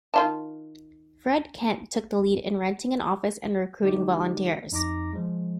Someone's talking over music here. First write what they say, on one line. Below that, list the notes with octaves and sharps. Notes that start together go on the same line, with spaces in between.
Fred Kent took the lead in renting an office and recruiting volunteers.
D#3 F4 A5
D3 G#3 D#4 F#4 G4
F2 D#4 A#5 D6 A#6
F3 G#3